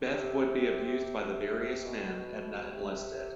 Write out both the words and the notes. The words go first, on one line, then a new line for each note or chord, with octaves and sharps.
Beth would be abused by the various men Edna enlisted.
C3
C3
B2
C3